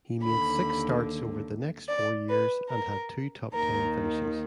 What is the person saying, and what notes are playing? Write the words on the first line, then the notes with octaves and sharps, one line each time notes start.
He made six starts over the next four years and had two top-ten finishes.
D#2 D3 B5
D5
B4
A#4
D#2 D#3 A#4